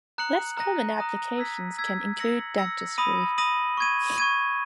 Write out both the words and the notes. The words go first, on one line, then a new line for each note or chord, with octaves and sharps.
Less common applications can include dentistry.
A#5 D#6 F#6 C#7 F#7
A#5 D#6 F#6 A#6 D#7
A#5 D#6 F#6 A#6 D#7
E6 G#6 B6
E6 G#6 B6
E6 A#6 C#7 F#7
E6 A#6 C#7 F#7
B5 D#6 A#6 D#7 F#7
B5 D#6 A#6 D#7 F#7
C#6 G#6 D#7
C#6 G#6 D#7